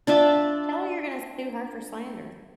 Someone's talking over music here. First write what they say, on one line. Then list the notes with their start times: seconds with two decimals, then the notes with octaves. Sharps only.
Tell her you're gonna sue her for slander.
0.07 D4 F4 E5 D6